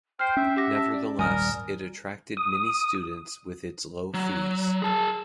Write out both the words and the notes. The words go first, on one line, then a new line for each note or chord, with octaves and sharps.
Nevertheless, it attracted many students with its low fees.
C5 G5 F6 C7
C#4 E5
G4 F#5 D6 A#6
A5 A#6
D5
D#1 G#1 G3 A#4 G#5 D#6 F6
D#6
F#3
G#4 A5